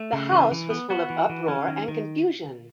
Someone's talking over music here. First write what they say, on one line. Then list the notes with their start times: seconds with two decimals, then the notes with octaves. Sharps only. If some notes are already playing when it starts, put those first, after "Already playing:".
The house was full of uproar and confusion.
Already playing: A3
0.13 C#3
0.32 E3
0.51 E3
0.70 B3
0.90 B3 F#4
1.10 E3
1.30 E3
1.48 C#4
1.68 D#3
1.88 D#3